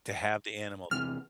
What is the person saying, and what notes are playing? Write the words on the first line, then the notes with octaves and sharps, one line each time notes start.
To have the animals
E2 C3 F6